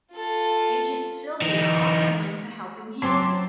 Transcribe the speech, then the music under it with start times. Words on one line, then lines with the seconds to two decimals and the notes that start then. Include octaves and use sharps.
Agent Sylvia also lends a helping hand.
0.12 F4 A4
1.42 E3 D#4
3.02 C#3 F#3 C4 C#4 A5 C6 D6 C7